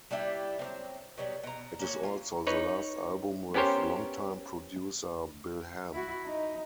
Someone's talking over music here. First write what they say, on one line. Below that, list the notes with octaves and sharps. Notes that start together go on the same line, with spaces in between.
It is also the last album with longtime producer, Bill Ham.
G3 D4 E4 G4
F#3 A#3 C4
B2 F#3 G3
B2 A#5
A#3 C#4 F#4
F4
D#4 B4 C#5
B3 C#4 G4 A#4 C5 C#5
E4 F#4
D#4